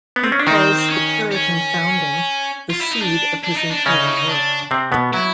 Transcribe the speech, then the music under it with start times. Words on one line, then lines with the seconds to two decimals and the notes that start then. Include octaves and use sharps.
He calls the Puritan Founding the "seed" of his entire work.
0.16 B3
0.24 C4
0.32 C#4
0.39 D4
0.46 D#3 C4 D#4
0.78 C4
0.90 C#4
1.31 C#4
2.70 F4
2.81 E4
2.91 D#4
3.01 D4
3.44 D4
3.57 D#4
3.71 D4
3.86 C#3 C#4 D#4
4.01 E4
4.15 D#4
4.28 D4
4.71 C3 C4
4.92 B2 B3
5.13 F#3 E4